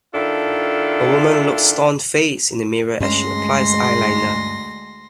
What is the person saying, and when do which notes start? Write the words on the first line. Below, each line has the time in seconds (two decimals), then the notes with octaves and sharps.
A woman looks stonefaced in the mirror as she applies eyeliner.
0.14 D#3 D4 E4 F4 A4
3.00 D2 G2 G#3 C#4 C6 A#6